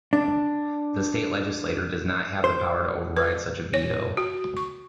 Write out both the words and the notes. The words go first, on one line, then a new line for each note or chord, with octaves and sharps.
The state legislature does not have the power to override such a veto.
D4
C5
B4
C#5
F#4
C#6